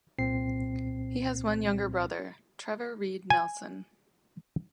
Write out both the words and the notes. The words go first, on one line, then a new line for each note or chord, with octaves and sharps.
He has one younger brother, Trevor Reed Nelson.
C2 A#2 C4 C7
G#5